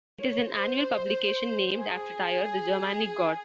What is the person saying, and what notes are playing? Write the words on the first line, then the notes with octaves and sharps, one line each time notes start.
It is an annual publication named after Tyr, the Germanic god.
C#5
C5
G#4